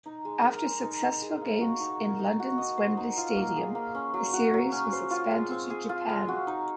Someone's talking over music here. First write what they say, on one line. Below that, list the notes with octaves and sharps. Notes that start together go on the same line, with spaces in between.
After successful games in London's Wembley Stadium, the series was expanded to Japan.
D#4
G#3
A#4
G#3
D#4
D#5
G#4
A#3
F#4
D#4
A#4
D#4
F#4
D#5
C5
D#4
F4
A#3
G#4
A#3
C#4
F#3
F#4
F#3
C#4
C5
F4
G#3
C4
G#4
F4
G#3
F#4
D#4